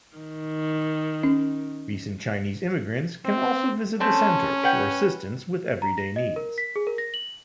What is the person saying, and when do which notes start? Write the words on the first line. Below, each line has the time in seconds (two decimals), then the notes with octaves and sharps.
Recent Chinese immigrants can also visit the Center for assistance with everyday needs.
0.16 D#3
1.23 C#4
3.26 C4
4.00 A3 C4 C#4 A5
4.64 B4 F#5 G5
5.82 A#5
5.98 A#6
6.16 D#5
6.36 A#4
6.58 B6
6.76 G#4
6.87 A#4
6.98 A#6
7.14 F#7